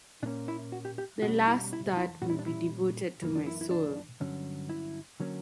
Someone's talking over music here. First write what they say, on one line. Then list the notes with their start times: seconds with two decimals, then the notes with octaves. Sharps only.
The last third will be devoted to my soul.
0.23 A#2 D4
0.26 A#3 C#4
0.48 E4
0.72 F#4
0.85 G4
0.98 G4
1.22 B2 G3 C#4 F#4
1.47 E4
1.73 E4
1.97 E4
2.22 A#2 G3 C#4 F#4
2.30 E4
2.39 D4
2.46 E4
3.22 F#2 E3 A#3
3.36 D4
3.47 E4
3.61 E4
3.71 D4
4.20 G2 D3 F#3 C#4
4.69 E4
5.20 D3 F#3 A#3 C#4